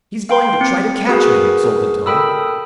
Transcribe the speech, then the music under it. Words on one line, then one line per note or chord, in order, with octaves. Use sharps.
"He's going to try to catch me!" exulted Tom.
F5 G5 C6
C4 C#7
F#4 G#4 A#4 B4
A4 A#4 G5 B5 D#6 E6